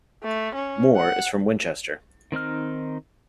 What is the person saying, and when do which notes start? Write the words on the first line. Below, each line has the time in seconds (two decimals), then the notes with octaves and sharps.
Moore is from Winchester.
0.23 A3
0.55 C#4
0.96 F#5
2.32 D#3 C4 D#4 F6